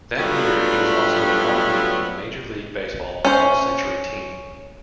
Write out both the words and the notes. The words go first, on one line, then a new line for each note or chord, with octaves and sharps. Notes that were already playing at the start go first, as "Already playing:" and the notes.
That year, he was also a nominee for the Major League Baseball All-Century Team.
F#3 G3 A3 B3 D4 F4
C#4 C5